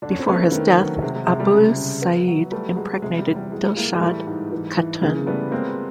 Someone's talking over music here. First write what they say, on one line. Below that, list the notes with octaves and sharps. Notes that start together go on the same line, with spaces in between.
Before his death, Abu Sa'id impregnated Dilshad Khatun.
D3 D4
C#4
C4
A3 B3 C#4
D#3
F#3
C3 G#3
G#3
C3 G#3
G3 A3
C#3
C#3
B3
F#3
G3 A3 B3
F#3 G#3
C3 G#3
G3
E2
G3
A2 G#3
A2 G#3 A#3
G#3
E3 G3 A3
G#2
E3
E3
C#3 G#3 A#3
G3 A3 B3
G#3 A#3 C4